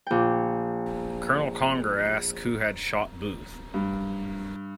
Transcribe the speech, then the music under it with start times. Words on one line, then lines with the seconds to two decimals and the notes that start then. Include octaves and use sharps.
Colonel Conger asked who had shot Booth.
0.07 A#1 G5
3.74 G2